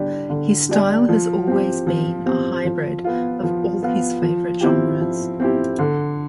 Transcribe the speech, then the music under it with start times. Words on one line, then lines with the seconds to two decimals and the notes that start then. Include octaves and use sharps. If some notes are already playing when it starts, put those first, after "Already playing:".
His style has always been a hybrid of all his favorite genres.
Already playing: D3 G3 D4 G4
0.30 D3
0.69 G3 D4 G4
1.09 F3
1.47 C4 G4
1.87 F3
2.26 C4 G4
2.65 F3
3.04 B3 F4
3.43 F3
3.83 B3 F4
4.22 F3
4.61 C4 E4 G4
5.00 F3
5.40 C4 E4 G4
5.79 D3